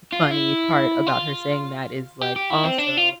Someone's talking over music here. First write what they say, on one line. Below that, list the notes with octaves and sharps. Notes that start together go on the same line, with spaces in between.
funny part about her saying that is, like, also
F4
E4
F4
G4
G4
E4
C4
D4
F4